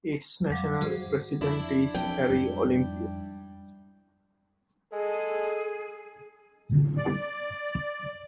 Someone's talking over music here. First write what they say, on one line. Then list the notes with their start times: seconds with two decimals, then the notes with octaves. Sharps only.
Its National President is Harry Olympio.
0.50 F2 F#3 G3 F5 D6
0.81 G#2 D#3 G3 F#4 G#4 C5
1.41 F2 D4 E4
1.94 F3 F#3 C4 G5
2.30 F2 G#2 G3
4.92 G#3 G#4 A4
6.97 D5